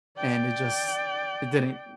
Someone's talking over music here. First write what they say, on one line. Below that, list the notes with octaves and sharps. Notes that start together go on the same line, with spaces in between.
and it just it didn't,
D5 G5